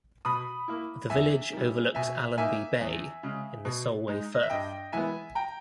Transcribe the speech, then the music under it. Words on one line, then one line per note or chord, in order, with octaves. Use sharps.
The village overlooks Allonby Bay in the Solway Firth.
B2 B5 D#6
A#3 E4
E2 E5 G#5
D#3 G3
B2 E5 G#5
A#3 D#4 E5 G#5
E2
C#3 G#3
B2
G#3 D#4
D#5
E5
G2 D#5 G5
E3 G#3 B3 E5 G#5
G5 A#5